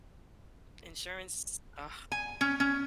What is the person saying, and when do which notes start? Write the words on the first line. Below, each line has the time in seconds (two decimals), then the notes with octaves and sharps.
insurance, ugh.
2.12 G#5
2.41 C#4
2.60 C#4